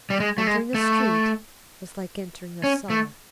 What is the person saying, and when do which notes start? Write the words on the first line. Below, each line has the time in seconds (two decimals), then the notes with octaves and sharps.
Entering a street was like entering a cellar.
0.10 G3
0.20 G#3
0.38 A3
0.47 G#3
0.74 A3
2.64 C#4
2.90 A3